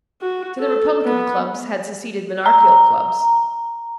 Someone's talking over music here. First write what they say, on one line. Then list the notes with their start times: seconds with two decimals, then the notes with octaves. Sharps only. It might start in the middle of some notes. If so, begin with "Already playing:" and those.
To the republican clubs had succeeded monarchical clubs.
0.21 F#4
0.60 A4
1.05 B3
2.46 A#5